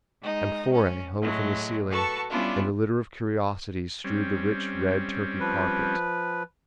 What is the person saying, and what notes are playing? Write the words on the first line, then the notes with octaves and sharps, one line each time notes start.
Amphorae hung from the ceiling, and a litter of curiosities strewed the rich red Turkey carpet.
G#3 D#4
C#4
A2 F#3 G#3
F#4 A4 B4 A5 C#6
G3 B3 C#4 D4 E4 F4
G3 C4 C#4
F3 B4